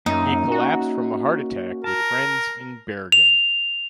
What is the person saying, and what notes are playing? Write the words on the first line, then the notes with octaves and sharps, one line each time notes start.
He collapsed from a heart attack with friends in Bergen.
F#2 A#3 C#4 D#4 E5
F#4
A#4 A5
F7